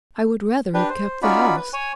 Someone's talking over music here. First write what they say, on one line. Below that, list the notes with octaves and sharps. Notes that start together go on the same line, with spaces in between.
I would rather have kept the house.
D4 G4 B4
C5
C#4 D#4 F4 F#4 D5 B5
B4
C#5 G#5